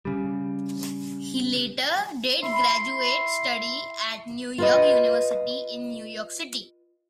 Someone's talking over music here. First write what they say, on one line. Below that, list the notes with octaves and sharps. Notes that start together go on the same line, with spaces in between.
He later did graduate study at New York University in New York City.
C#3 G3
E4 C6
F4 B4 D#5